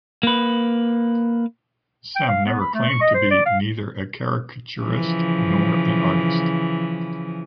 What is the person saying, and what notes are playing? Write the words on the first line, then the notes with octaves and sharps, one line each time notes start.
Sem never claimed to be neither a caricaturist nor an artist.
A#3 B4
G5
F5
B3
B5
A3
C#6
D#5
C5
D5
F5
C#3 E3 F3